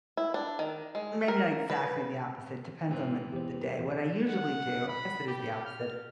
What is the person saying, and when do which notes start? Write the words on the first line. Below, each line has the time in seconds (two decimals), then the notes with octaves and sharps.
maybe not exactly the opposite, depends on the the day. What I usually do- I guess it is the opposite-
0.17 E4
0.34 D4
0.59 D#3
0.95 G#3
1.28 A#4
1.70 B4
2.89 G#2 E3 C4
3.33 E2 G4 C5
4.29 F#5
4.88 B5
5.27 G4
5.65 F6